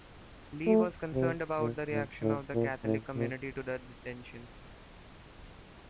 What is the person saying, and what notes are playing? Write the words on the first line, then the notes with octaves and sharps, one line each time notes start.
Lee was concerned about the reaction of the Catholic community to the detentions.
A3
C3
A#2
A2
A2
A#2
A2
A#2